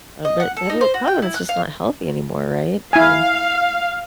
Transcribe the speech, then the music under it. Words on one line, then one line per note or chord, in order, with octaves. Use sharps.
Um, but but w probably when it's just not healthy anymore, right? I mean
D#5
F#5
A4
D#4
C5
F#4
G5
E4
F#6
F5
E4 F5 G#5